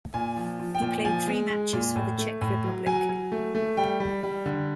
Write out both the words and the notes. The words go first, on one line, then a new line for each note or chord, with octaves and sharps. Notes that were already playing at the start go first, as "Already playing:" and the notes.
He played three matches for the Czech Republic.
A#2 G#5
F3
F3
G5
A#2
F3 G#5
G#3
G#3
A#2
A2
A3
A2
F#3
F#3 G#5
F#3
A3
A3
G3 G5
G3
G3
D3